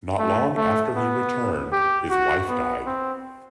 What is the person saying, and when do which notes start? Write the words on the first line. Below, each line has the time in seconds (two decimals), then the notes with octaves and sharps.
Not long after he returned, his wife died.
0.19 A3
0.57 A3
0.96 B3
1.73 G4
2.10 F#4
2.49 B3
2.86 C4